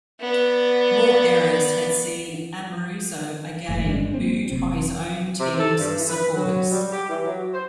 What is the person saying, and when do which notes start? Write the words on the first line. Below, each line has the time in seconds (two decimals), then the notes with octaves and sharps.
More errors had seen Amoruso again booed by his own teams' supporters.
0.21 B3 D5
3.69 F#1 A2
3.84 G1 G3 G#3 D4
4.14 A#3 C4
4.50 F1 A#1 C3 C4
5.40 C3
5.59 A4
5.78 G2
5.98 E3
6.09 B4
6.35 F#3
6.72 G3
6.93 G4
7.09 E3
7.25 F#3
7.54 C5